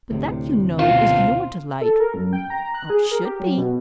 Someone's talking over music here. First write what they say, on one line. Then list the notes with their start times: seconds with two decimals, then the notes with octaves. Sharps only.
But that, you know, is your delight,--or should be.
0.11 D2 A2 C3
0.79 B2 F4 C5
1.81 A4
2.00 A#4
2.14 F#2
2.33 G5
2.50 A#5
2.74 F#6
2.90 G#4
3.11 A#4
3.25 G4
3.40 F#3
3.57 B2